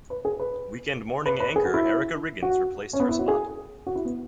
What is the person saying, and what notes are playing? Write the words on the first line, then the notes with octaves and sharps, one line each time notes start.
Weekend morning anchor Erica Riggins replaced her spot.
B4
G#4
B4
B4
B4
G#4
F#4
E4
F#4
C#4
B3
E4
F#4
G#4
F#4
E4
B3